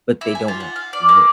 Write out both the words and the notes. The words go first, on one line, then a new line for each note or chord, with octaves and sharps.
but they don't want to commit.
E4
G#5
F4
F#5
F5
D5
A#3